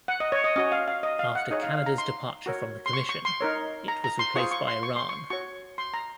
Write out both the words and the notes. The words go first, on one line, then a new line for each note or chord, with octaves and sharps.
After Canada's departure from the Commission, it was replaced by Iran.
F#5
D#5
C#5
D#5
C#4 F#4 C#5 D#5
F5
F5
D#5
F5
F#5
D#4 G#4 C#5 D#5
F5
F5
A#5
C6
F#4 A#4 C#5
C6
C#6
C#6
C6
D#4 A#4 C#5
A#5
A#5
C6
F4 G#4 C5 C#6
C#6
C6
C#6
C6
C#6
F#4 C#5 C#6
C6
A#5